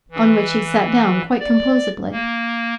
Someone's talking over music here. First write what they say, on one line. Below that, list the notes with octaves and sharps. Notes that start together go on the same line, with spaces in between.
On which he sat down quite composedly.
E3
D5
A#3